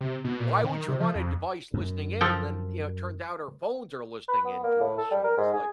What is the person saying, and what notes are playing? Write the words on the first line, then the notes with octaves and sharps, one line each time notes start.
why would you want a device listening in? And then, you know, it turns out our phones are listening in to us, and it's like
C3
B2
A#2
D#3
C3
F3
F2
F#2
F3 A4 G5
B4
B3
A#3
A2
A4
G3
A#4
G#2
G#4